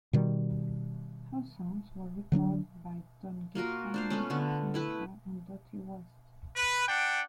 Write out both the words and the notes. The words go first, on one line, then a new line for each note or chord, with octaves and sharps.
Her songs were recorded by Don Gibson, Nancy Sinatra, and Dottie West.
B2 D#3 G3
D3 F#3 A#3 D4
A#3 F4 F#4 A#4
D4 C5 F5
A3 B3 C#4
D3 B3
A3 E4 B4
B4
D4 F#5 G5